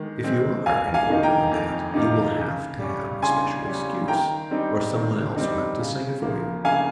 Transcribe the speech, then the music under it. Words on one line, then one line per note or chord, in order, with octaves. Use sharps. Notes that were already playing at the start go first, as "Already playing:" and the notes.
If you are any older than that you will have to have a special excuse; or some one else will have to sing it for you.
Already playing: D#3 G#3
G#3 C4
F2 F5 G#5
F5 G#5
C3 D#3 A#3 D#4
G5 A#5
F2
C3 D#3 A#3 D#4
C#3
G3 C#4
C#3 G#5 C6
G3 C#4
D#3 G5 A#5
G3 C4 D#4
D#3
G3 C4 D#4
C#3
F3 A#3
C#3 F5 G#5